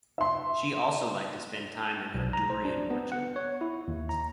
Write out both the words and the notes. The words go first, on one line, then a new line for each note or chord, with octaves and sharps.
She also liked to spend time in her durian orchard.
E5 C6
B1
A#5
C5
D4
B3
F#5
C#5
E4
D#2
A#5